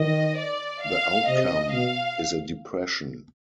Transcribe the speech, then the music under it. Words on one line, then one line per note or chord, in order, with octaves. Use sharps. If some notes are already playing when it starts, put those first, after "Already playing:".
The outcome is a depression.
Already playing: D#3 D#5
D5
F5
C3 D#5
B2 F5